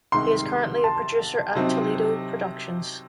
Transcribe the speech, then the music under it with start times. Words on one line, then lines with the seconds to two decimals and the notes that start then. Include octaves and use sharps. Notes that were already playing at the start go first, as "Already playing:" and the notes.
He is currently a producer at Toledo Productions.
0.12 C2 C3 D#3 G#3 C6
0.84 A5
1.55 C3 F#3 C4 D#4